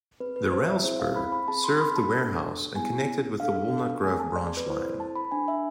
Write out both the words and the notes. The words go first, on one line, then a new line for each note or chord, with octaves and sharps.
The rail spur served the warehouse and connected with the Walnut Grove Branch line.
C4 G#4 B4
B4
C5
E5
C4 E4 G#4 C5
F5
B5
B5
C4 G#4 A5
C6
B5
A5
D4 A4
B3 E4 G#4 G#5
D4 A4 F5
F5
A3 C4 G#4 G#5
A5
D5
D5
B4
C4 E4 A4 C5
C5
A5
B5
D4 A4 G#5
E5